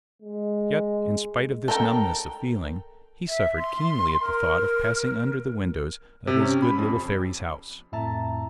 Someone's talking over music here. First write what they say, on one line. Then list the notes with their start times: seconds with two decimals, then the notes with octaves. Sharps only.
Yet, in spite of this numbness of feeling, he suffered keenly at the thought of passing under the windows of his good little Fairy's house.
0.22 G#3
1.68 A4 A#4 G5
3.28 E5
3.58 C6
4.21 A#4
6.27 C3
6.41 C#4
6.62 B5
6.78 F2
7.92 F2 A2 E5 A5 A#5 A6